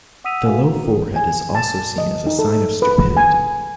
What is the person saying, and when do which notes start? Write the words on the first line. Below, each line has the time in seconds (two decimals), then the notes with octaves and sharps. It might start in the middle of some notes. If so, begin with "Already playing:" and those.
The low forehead is also seen as a sign of stupidity.
0.24 F#5 D#6 E6 B6 D#7 F7
0.45 F#4 A4 B4 E5 F5 G#5
0.63 D#4 A#5
1.16 G#5
1.55 A5
1.98 D#5
2.27 D#4
2.39 A4
2.82 B4
3.17 G#5